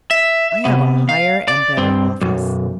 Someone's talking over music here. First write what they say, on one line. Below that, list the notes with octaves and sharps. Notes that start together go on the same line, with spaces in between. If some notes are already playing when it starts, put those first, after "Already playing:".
I have a higher and better office.
E5
C3 B3
F5
D5
G2 C4
B1 F#2